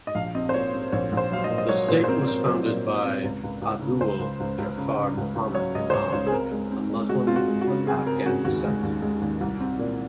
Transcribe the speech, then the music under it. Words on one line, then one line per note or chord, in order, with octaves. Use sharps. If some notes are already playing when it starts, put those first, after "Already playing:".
The state was founded by 'Abdu'l Ghafur Muhammad Khan, a Muslim of Afghan descent.
D#5
A#1 F5
C4 D#5
C5
A#2 C#5
C4
A#1 C#5
A#1
C5
F#3 F5
D#5
A#2
D#5
F#3 C#5
A#2 C5
C5
C4 A#4
C4 A#4
F#3
A#2
A#2
C4
C#2
C#2
C#2
C#3
C#2 C5
C#2
C#2
C#2
C#3
C#3
C#2
C#2
F#3 C#5
C#2 D#5
C5
C#2 C#5
C#2 C#5
G#4
C4 A#4
G#3
C4
G#3
G#3 F#4
C4 F4
F#4
G#3
F#4
C#3
C4 G#4
C4 A#4
C#3 F#4
D#2 F#4
G#3
D#2
G#3
D#2
C2
C4
A#2